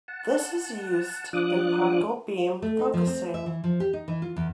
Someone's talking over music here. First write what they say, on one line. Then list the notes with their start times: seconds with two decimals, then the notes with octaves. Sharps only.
This is used in particle beam focusing.
0.08 F#5 A5
1.33 F3 D4 F4 D6 D#6 F#6
2.62 A3
2.79 D#4
2.94 F3
3.07 C4
3.34 E5
3.46 E3
3.64 F3
3.80 G4
3.93 D#4
4.08 E3
4.22 F4
4.36 E2